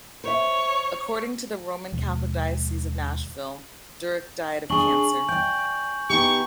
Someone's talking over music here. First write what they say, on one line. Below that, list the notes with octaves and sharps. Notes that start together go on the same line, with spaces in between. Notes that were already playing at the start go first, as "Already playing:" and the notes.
According to the Roman Catholic Diocese of Nashville, Durick died of cancer.
C5 C#5 E5
D#2 B2 F3 G#3
D4 G#4 G#5 C#6 F#7
D5 G5 G6
B3 D#4 G4 C#6